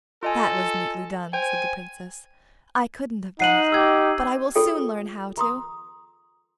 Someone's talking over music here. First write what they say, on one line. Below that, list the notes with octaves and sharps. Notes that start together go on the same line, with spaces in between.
'That was neatly done!' said the Princess. 'I couldn't have done it; but I will soon learn how to!'
F4 A4 D#5 G#5
C5 G5 G#5
D#4 F#5 C7 D#7 F#7
G4 E6 G#6
F4 G#4 A4 C#5 G5
A#5 C6 D#6